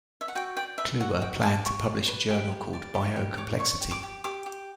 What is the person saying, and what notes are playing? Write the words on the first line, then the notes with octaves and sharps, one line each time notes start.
Kluwer planned to publish a journal called "Biocomplexity".
E5
F#5
F#4 G5
D5 G5
B4 E5
F#4 F#5
F#4 G5
D5 A5
G4 C#6
D5
B4
G4
G4
D5
G4 D6
G4
C#5 D6
C#5 C#6
G4
D6
G4
G4 D6
G4